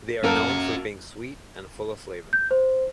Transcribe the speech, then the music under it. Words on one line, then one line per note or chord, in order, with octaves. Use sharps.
They are known for being sweet and full of flavour.
A#3 C#4 F#4 A4 A#4
G6
C5